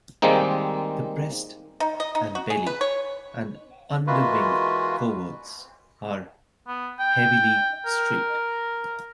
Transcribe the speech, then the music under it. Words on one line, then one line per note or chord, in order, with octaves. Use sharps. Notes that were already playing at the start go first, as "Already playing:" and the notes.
The breast and belly and underwing coverts are heavily streaked.
D#3 G3 G#3 A#3 C4 D#4
D#4
D#5
D#4
F#4
G#4
B4
C#5
E3 G#3 A#3 F4 F#4 B4
B3
G5
A#4